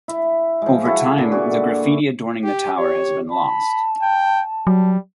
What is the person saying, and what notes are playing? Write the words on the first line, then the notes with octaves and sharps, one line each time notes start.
Over time the graffiti adorning the tower has been lost.
E4
F3 G#3
E4 F#4 A4
A#2 D3
F#4 G#4 D5
G4
G4 C#5
A5 B5
G5
F#3 G3